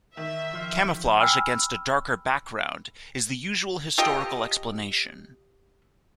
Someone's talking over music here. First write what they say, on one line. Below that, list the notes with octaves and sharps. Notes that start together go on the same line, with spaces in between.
Camouflage against a darker background is the usual historical explanation.
D#3 E5
F3
G5 G#5 B5 E6 F6
F4 G4 A4 D#5